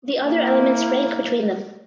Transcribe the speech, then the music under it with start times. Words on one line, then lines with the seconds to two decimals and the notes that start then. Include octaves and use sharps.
The other elements rank between them.
0.24 A#3 E4